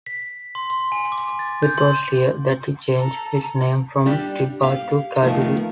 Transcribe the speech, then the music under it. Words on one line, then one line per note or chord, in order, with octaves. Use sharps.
It was here that he changed his name from Diba to Kaduri.
B6
C6
C6
G#5
D6
A6
G6
C6
A4 A#5
G3 D4 G4
G4 F5
D#3 F3 A3 B3 D#4